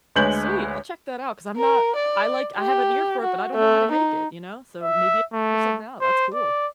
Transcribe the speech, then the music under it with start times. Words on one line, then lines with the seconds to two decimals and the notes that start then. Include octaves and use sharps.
Sweet. I'll check that out, 'cause I'm not I like I have an ear for it, but I don't know how to make it, you know? So maybe figure something out. That's cool.
0.16 D2 G#3 B4 C#5 G6 F#7
1.57 A#4
1.96 D5
2.58 G4
3.24 F#4
3.55 A3
3.92 D#4
4.83 E5
5.33 A3
6.01 C5
6.34 D5